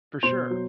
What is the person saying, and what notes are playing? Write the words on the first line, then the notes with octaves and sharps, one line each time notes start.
For sure.
B2 C5 C6
F#3